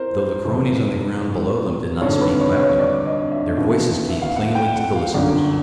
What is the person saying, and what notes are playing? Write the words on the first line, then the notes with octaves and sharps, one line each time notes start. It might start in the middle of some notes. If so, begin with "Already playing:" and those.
Though the cronies on the ground below them did not speak loudly, their voices came plainly to the listeners.
Already playing: E3 A#4 C5
C5
F#1 F2 C3 E3
G#1 G2 D3 C#5
B4
C#5
C#5
D5
D#5
E5
D#2 C#3 E3
E5
F5
F#5
G5
F#5
F5
G1 F#2 D3 D5